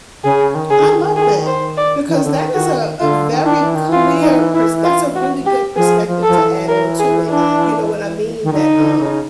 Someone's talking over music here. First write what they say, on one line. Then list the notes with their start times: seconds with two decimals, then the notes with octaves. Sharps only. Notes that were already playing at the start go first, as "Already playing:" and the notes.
I love that because that is a a very clear pers that's a really good perspective to add on to it, you know what I mean, that, um
0.24 C#3 G#4
0.55 D#3
0.70 C#3 G#4
0.78 D3
0.85 D#3
1.16 G#4
1.47 C5
1.77 D5
2.08 E3
2.16 D#3
2.24 D3
2.33 D#3
2.54 D#3 F#4
3.00 D3 F4
3.31 D#3
3.46 D4
3.62 E3
3.75 D#3
3.89 E3 F4
4.23 D#4
4.54 E4
4.84 F4
5.16 F#4
5.46 G4
5.77 F3 G#4
6.08 F3
6.23 F3 A4
6.38 E3
6.69 A#4
6.99 G#4
7.30 D4
8.43 D#3
8.53 D3 D#4
8.76 D3
8.99 C#3